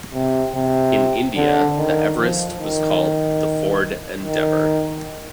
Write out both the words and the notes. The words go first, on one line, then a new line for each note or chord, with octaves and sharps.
In India, the Everest was called the Ford Endeavour.
C3
C3
D3
D#3
F3
D#3
D#3